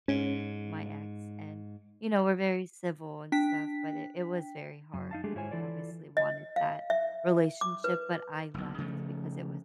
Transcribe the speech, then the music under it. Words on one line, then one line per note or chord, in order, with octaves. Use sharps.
my ex. And, you know, we're very civil and stuff, but it it was very hard. You know, I obviously wanted that relationship, but I left because it was
G#2 C#4
D4 G5 B6
F#2
D#4 F5 A5
G#3 A3 D4 G4 G#4
G#2 E4 F4 C5 C#5 G#5
E3 E4 F4 A4 D5
D#5
F5
E5
D6
B4
F#1 B1
C#3 F3 A3